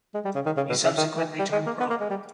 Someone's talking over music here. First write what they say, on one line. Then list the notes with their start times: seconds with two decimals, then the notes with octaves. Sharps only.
He subsequently turned pro.
0.15 G#3
0.25 G3
0.35 C#3
0.46 D#3
0.57 C#3
0.69 B2
0.84 C#3
0.97 D#3
1.17 E3
1.39 G3
1.53 G#3
1.66 A#3
1.80 B3
1.90 A#3
2.01 G#3
2.10 G3